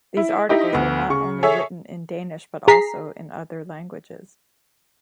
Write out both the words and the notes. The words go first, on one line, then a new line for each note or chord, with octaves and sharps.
These articles were not only written in Danish but also in other languages.
E4
D#4 E4 G4 D#5
D2 B3
C#3 C#6
G#4 A4 C#5 E5
G#4 A#5 B6 C7